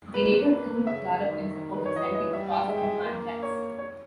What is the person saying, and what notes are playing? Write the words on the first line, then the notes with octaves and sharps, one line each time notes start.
They later toured Europe in support of Celtic Frost and Anthrax.
A#3 B4
C#3 E5
D#3
B4
C#5
E3 D#5
D#5
G3 E5
G5
G#3 E5
G5
E5
A#3
C#5
C#5